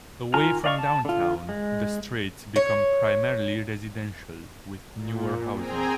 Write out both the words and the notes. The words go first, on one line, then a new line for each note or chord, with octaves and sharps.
Away from downtown, the streets become primarily residential, with newer housing.
D#3 F4 G#5 A#5 F6
D5 D#5 F5 G5 C#6
A5
D3 F4
G#3
C#5
A#2
C4 G#4 G5 G#5 A#5